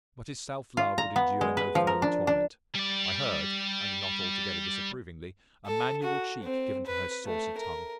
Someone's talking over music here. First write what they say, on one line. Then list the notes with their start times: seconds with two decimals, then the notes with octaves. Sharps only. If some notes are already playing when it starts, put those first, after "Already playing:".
But his self-love would endure no further torment: I heard, and not altogether disapprovingly, a manual check given to her saucy tongue.
0.77 F4
0.98 A#5
1.16 B3
1.41 G#3
1.57 B4
1.75 F3
1.87 A#4
2.02 D4
2.27 D4
2.75 G3 D5
5.66 A4
6.03 F#4
6.43 C4
6.87 B4
7.25 A3
7.57 A#4